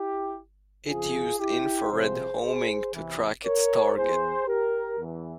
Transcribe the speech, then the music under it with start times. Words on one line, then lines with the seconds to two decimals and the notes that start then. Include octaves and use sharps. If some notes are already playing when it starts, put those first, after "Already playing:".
It used infrared homing to track its target.
Already playing: E4 G4
0.87 F2 C#3 F3 F4 G#4
1.39 E4 G4
1.89 C2 C3 F3 G#4 C5
2.41 G#4 C5
2.92 E2 C3 E3
3.44 A#4 C#5
3.96 E2 E3 G#4 C5
4.47 G4 A#4
4.98 E2 E3